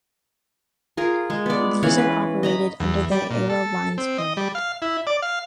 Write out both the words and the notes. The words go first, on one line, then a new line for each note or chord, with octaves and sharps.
These are operated under the Eurolines brand.
F4 G#4 A#4
G#3
B3 D5
E3 C#4 F5 F#5
B4
D#5 A#5 B5
E2
G3
A#2
A4
C4
D#5
G3
F5
E4
D5
F5